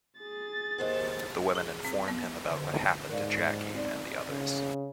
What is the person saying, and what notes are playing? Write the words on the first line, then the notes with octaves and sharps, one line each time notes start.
The women inform him about what happened to Jackie and the others.
G#4 A6
D#2 C5 F#5
G#4
C4
B3
D3 C5
G#2 A#4 D5 F5
C4 D#4 D5
C#3